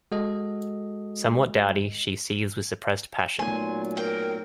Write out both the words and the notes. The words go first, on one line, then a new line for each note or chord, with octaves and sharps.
Somewhat dowdy, she seethes with suppressed passion.
G#3 F#4 A4 D#5
A#2 F#3 A3 B3 D#4 G#5 C6
A#4 G5